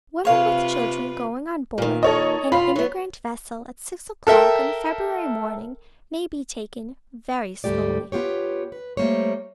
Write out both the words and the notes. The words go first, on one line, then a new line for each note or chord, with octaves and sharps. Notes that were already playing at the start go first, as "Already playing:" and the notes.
Women with children going on board an emigrant vessel at six o'clock on a February morning may be taken very slowly.
C3 F4 B4 C#5 F5
A#2 D#3
A4 C#5 D#5
B2 F4 B5 C7
F#3 B3
A4 A#4 E5 G5
D2 G#2 G3 A3 G4 D5
B3 F4 G4 C#5
B4
G3 A3 A#3 C5 C#5